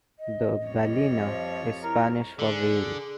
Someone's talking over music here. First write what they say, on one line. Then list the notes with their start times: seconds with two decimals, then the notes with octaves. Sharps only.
The "ballena" is Spanish for whale.
0.19 D#5
0.66 F2 G3 C#5
1.26 F3
1.84 E4 A#4 A#5
2.39 D3 G#4